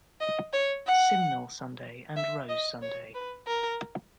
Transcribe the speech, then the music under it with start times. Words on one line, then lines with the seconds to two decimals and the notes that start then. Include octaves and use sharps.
Simnel Sunday and Rose Sunday.
0.20 D#5
0.53 C#5
0.86 F#5
2.17 E5
2.49 D#5
2.82 C#5
3.14 B4
3.47 A#4